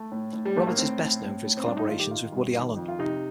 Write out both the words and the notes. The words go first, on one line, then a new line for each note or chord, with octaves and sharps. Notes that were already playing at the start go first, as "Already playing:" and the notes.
Roberts is best known for his collaborations with Woody Allen.
Already playing: A3
A2
A2
G3
A2 A3
A#3
A2 C4
A2
A2
A2
C4
G2 D4
D#4
D#3 F4
G4
D#3 F4
G2
D#3
F2
F4
C3 D#4